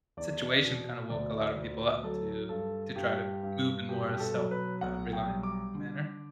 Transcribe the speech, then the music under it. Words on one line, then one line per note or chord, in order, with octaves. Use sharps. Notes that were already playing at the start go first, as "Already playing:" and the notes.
situation kinda woke a lot of people up to to try to move in more a self, uh, reliant manner.
E2 D5
B2
D2 D5
D2
F#3 A4
G2 A4
G2 G4
G2
B2 G4
G4
A4
F#3
B4
B1 F#5
G5
G3
D6
D3